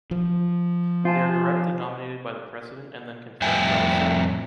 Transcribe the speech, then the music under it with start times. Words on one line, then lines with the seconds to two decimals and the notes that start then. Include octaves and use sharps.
They are directly nominated by the President and then confirmed by the Senate.
0.11 F3
1.05 F4 C5 G#5 A5
3.42 F2 A2 G3 E5 G5 G#5